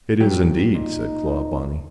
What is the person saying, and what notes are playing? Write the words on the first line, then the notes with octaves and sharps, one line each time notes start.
"It is, indeed!" said Clawbonny.
G2 F#3 G4
A#2 D#4